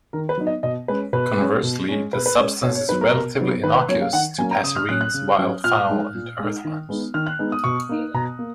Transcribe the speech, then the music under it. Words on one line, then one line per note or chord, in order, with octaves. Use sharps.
Conversely, the substance is relatively innocuous to passerines, wildfowl, and earthworms.
D#3 A#4
B4
F#3 B3 D#4
D#5
B2 D#5
G#3 C#4 B4
B2 B4
G#3 C#4
B2
G#3 C#4
B2 B4
B4
G#3 C#4 C#5
B2 C#5
C#5
F#3 B3 D#4 B4
A#4
B2
F#3 B3 D#4
D#3 B4
B4
F#3 A#3 C#4 C#5
F5
D#3 F#5
F#3 A#3 C#4 G#5
A#5
C#3 D#6
F6
F#3 C#4 F#6
F#6
C#3
F#3 C#4
A#2 F6
G#3 D#4
A#2
G#3 D#4
D#3
G#3 B3 D#4
D#3 F6
F#6
G#3 B3 D#4
D#6
B2 C#6
A#3 D#4
B2 A#5
A#3